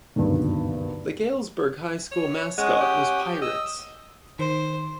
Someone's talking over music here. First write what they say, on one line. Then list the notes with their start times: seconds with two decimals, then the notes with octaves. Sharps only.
The Galesburg High School mascot was Pirates.
0.16 F#1 D2 G2 B2 D3 D#3
2.12 C#5
2.58 G#3 C#4 F#5 D#6
2.81 G4
3.42 D#5 E6
4.39 D#3 C5